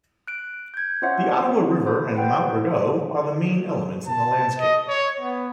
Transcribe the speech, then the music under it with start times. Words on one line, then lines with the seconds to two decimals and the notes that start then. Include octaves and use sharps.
The Ottawa River and Mount Rigaud are the main elements in the landscape.
0.27 F#6 D7
0.74 G6 G#6
1.02 C#4 F4 C5 C#5 E5 F#5
1.45 C4
1.87 C5 B5
2.15 B4 C5 F#5 G5
4.06 A5
4.58 D#5
4.88 C#5
5.20 B3